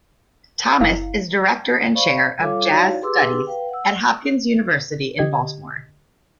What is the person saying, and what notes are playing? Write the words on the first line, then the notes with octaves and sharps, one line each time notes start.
Thomas is Director and Chair of Jazz Studies at Johns Hopkins University in Baltimore.
F#1 E4 F5
C5 D5 F5 B5 C#6
G3 F4 A4 C#5 F5 D6
D#4 E4 F#4 C#5 D5 F5
G4 G#4 B4 C6 D6 E6
B4 F5 G5
F#5 E6
D3 G4 D#5 G#6